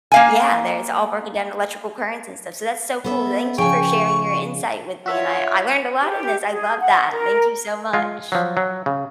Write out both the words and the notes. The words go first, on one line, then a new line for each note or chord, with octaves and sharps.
yeah, there's all broken down electrical currents and stuff, so that's so cool, thank you for sharing your insight with me and I I learned a lot in this, I love that, thank you so much.
A#3 F5 G#5
B3 A4 E5
C#3 F3 G#4 G5 G#5 C#6
F4 F#4 C#5 E5
G4
G#4
F#5
A#4
G#3 F4
F3 F#3
F#3
C#3